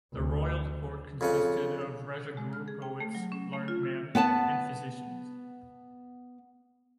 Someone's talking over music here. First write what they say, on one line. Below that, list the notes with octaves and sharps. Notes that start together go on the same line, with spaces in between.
The royal court consisted of a "Rajaguru", poets, learned men and physicians.
D2
F2 C#3 F#5
G#3
F6
G#4
G5
A3
F#3
C#4
A3
F4
C3
B3 F#5 G#5 A5